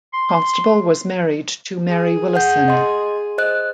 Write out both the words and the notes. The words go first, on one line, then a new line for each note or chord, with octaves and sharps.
Constable was married to Mary Willison.
C6
G#4
F#5 G6
D#5 C6
C5 D#5 F#6